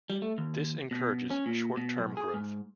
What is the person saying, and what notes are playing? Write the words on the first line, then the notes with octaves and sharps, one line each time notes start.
This encourages short-term growth.
G3
A3
D#2
B2
C#4
A#2
B2
B1
G#4
G#2